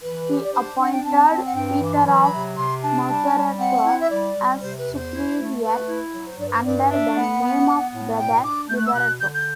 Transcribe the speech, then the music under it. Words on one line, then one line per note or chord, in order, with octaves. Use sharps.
He appointed Peter of Macerata as superior under the name of Brother Liberato.
E3 B4
G4
D5
D4 C5
D4 F#5
G5
C4 A5
C4
F#5
G2 G5
E3 D6
C6
F#3 B5
C3
C3 C6
D4 A5
G3 A5
G3
C4 F#5
E4
E5
G3 D5
G3
C3 C5
B4
E2
C5
E4
A3
A3 B4
E4
F#3
C5
G2 D5
B4
C5
G2 D5
D4 E5
B3 F#5
B3
B3
A2
B2 G5
D4 D6
A3 G6
F#6
E6
B2 F#6
D3 G6
G6